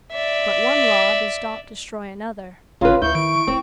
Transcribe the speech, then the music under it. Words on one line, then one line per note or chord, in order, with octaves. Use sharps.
But one law does not destroy another.
D5 E5
G1 C#3 F4 B4
D2 E4 C#6 G6
D#3 D7
D1 C4